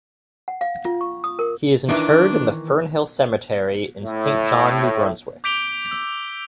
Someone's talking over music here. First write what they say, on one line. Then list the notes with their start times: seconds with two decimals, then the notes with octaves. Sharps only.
He is interred in the Fernhill Cemetery in Saint John, New Brunswick.
0.48 F#5
0.61 F5
0.85 F4
1.01 C#6
1.24 D#6
1.39 A#4
1.89 D#3 E3 D4
4.03 A2
5.44 D6 G6 B6 D7 F7 G7
5.91 E6